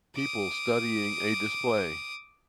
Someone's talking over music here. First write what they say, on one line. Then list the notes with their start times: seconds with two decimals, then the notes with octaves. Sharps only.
People studying a display.
0.16 D6 D#6